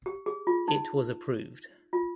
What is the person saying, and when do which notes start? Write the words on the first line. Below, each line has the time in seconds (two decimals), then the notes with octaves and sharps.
It was approved.
0.06 G4
0.26 G#4
0.47 F4
0.68 D#4
1.93 F4